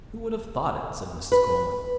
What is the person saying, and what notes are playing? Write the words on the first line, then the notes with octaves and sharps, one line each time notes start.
"Who would have thought it?" said Mrs. Coleman.
B4